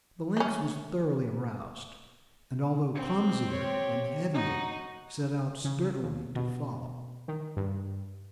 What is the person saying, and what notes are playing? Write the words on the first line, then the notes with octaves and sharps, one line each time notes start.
The lynx was thoroughly aroused, and although clumsier and heavier, set out sturdily to follow.
A3 C#4
C4
G4 C#5
D#4 F#4
C#3
D#2
B2
D#3
G2